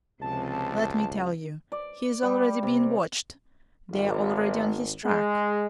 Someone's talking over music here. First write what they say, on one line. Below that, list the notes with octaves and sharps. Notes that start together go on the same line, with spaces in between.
Let me tell you, he is already being watched; they are already on his track.
C#2 C3 F3 C4 A5
D5
G3
C3
G#1
G#3